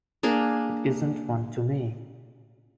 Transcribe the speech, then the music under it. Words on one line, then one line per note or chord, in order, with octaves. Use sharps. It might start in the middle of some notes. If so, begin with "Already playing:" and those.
It isn’t one to me.
A#3 D4 G#4 A#4